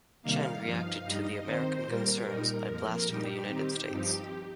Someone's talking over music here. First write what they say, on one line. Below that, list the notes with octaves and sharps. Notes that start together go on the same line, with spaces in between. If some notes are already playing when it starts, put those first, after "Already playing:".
Chen reacted to the American concerns by blasting the United States.
C3 D#3 G3 A#3 D#4 F5
G2 F3 D#4
G2 G3 D#4 D#5
D#3 C4 D#4 C5
A#2 G3 A#3 F4 A#4
A#2 G3 D#4 A#4
F2 F3 A#3
A#2 G3 D#4 G4
D#3 C4 D#4
G2 F3 C4 D#4